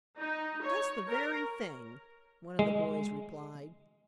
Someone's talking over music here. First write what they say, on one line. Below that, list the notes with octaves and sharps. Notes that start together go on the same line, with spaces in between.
"Just the very thing!" one of the boys replied.
D#4
C#5
A#4
G#3